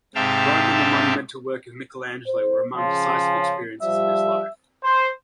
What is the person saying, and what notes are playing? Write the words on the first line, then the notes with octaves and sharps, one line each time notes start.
Rome and the monumental work of Michelangelo were among decisive experiences in his life.
G#2 C3 E5 F5 G5 A5
C5
C#3 F3
F3 G3 E5
C5